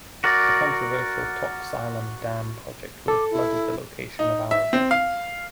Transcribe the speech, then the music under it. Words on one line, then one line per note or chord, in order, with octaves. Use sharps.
The controversial Tocks Island Dam project would have flooded the location of Arrowhead.
F#4 A#4 D5
A4 D6
E4
D#4
E5
C4
F5